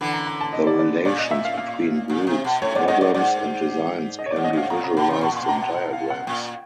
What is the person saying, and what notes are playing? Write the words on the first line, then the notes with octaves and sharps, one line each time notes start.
The relations between groups, problems, and designs can be visualized in diagrams.
D3 E3 B5
A#5
A#5
A5
D#5
D5
D5
A#2 D5
D#5
E5
F5
F5
A#2
C3
B2
A2 C#5
G#2 D5
G#2 D#5
G#2 D5
G#2 D5
D#5
C#5
D5
G#2
D#5
G#2 F5
A#2 A#5
C3 A#5
B2 B5
C3 C6
B2 C#6
A#2
C6
B2
A#5
F#5
F#5
F5
F#5
A#2 G5